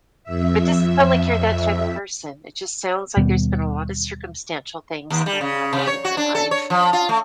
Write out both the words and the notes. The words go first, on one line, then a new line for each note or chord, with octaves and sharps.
but doesn't sound like you're that type of person. It just sounds like there's been a lot of circumstantial things that have happened in your life.
F2 E5
D#2 B2 G3 B3
D#2
G3
C#3
C3
C#5
F#4
D4
A4
C#5
F3
F4
A3